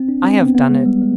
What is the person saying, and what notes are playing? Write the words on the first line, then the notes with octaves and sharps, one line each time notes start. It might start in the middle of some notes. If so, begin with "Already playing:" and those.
I have done it!
Already playing: C4
D4
C4
B3
B3
G#3
G3
G#3